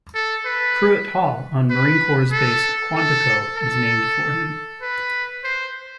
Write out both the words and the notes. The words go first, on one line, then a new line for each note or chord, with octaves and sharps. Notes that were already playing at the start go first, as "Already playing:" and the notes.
Pruitt Hall on Marine Corps Base Quantico is named for him.
A4
B4
B4
A4
A4
A4
B4
C5